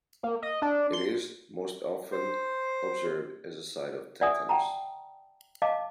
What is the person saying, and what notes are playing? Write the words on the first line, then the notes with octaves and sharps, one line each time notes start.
It is most often observed as a sign of tetanus.
A#3
D#5
D4
C6
C5
D5 E5 F#5 G#5 D#6
F#5 G5 A5 A#5
D#5 F5 A5 D6